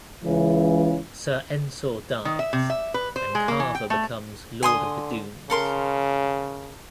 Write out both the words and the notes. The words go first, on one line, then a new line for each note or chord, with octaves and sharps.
Sir Ensor dies, and Carver becomes lord of the Doones.
C#2 C#3 E3
D#3
E5
C3
E5
B4
C5
G#3
A#3
E3
G5
A3
D3 G#5 C6 D#6
C#3 A4 A#4 C6